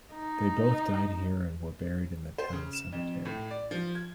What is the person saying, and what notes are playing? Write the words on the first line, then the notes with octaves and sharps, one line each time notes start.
They both died here and were buried in the town cemetery.
D#4
C5
C#3
E7
F2
A2
D5
F3
G#6